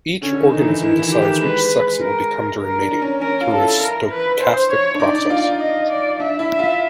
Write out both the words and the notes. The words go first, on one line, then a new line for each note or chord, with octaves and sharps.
Each organism "decides" which sex it will become during mating, through a stochastic process.
D3 C#4
D3
D#3
D#4
E3
D#3 E4
E3
G4
D#3
G#3 B4
A#4
A#4
D4
C#4
C#4 A#4
F4
A4
E4
A#4
B4
C5
C#5
D4
D#4 D5
D4
F4
D#4
D#5
D5
D4 E5
E4
E5
F4